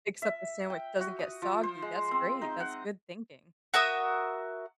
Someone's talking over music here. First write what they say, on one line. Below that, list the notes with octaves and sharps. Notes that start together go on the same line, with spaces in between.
Except the sandwich doesn't get soggy, that's great, that's good thinking.
E5
G5
F#4
D#6
F3
C5
G#3
C4
D#4
F#5
F#4 A#4 E5 D#6